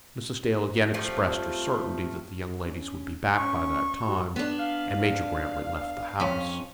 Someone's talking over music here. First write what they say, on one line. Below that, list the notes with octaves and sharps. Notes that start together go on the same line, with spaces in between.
Mrs. Dale again expressed her certainty that the young ladies would be back by that time, and Major Grantly left the house.
F3 G3 A3 C4
C#4
C#4 C#6
F#4
B3 D4
F5
F2 C#4